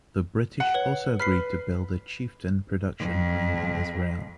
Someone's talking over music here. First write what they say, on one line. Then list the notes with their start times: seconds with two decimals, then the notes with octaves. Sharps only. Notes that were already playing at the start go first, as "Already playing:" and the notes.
The British also agreed to build a Chieftain production line in Israel.
0.60 F#5
0.74 B4 C#5
1.20 B4 F6 B6 C7
2.99 F2